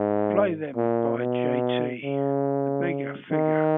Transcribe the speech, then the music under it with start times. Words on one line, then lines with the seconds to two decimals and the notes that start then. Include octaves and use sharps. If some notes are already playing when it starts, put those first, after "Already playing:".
Play them by Jt The Bigga Figga.
Already playing: G#2
0.76 A#2
1.19 B2
2.04 C#3
3.32 D#3